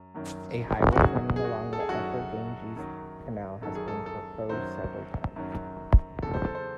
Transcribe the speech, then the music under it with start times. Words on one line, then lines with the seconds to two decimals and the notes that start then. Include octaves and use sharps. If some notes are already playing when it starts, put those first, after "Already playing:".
A highway running along the Upper Ganges canal has been proposed several times.
Already playing: F#2
0.14 F#2 D#3 F#3
0.92 F#4
1.01 F#2 D#3 F#3 G#4
1.36 G#4
1.44 F#4
1.73 A4
1.80 G#4
1.88 F#2 D#3 F#3 F#4
2.76 F#2 D#3 F#3
3.62 F#2 D#3 F#3 A4
3.75 G#4
3.88 A4
4.06 A4
4.49 F#2 D#3 F#3 C5
5.36 F#2 D#3 F#3
6.22 E2 C#3 F#3 A4
6.34 C5
6.44 A4
6.55 C5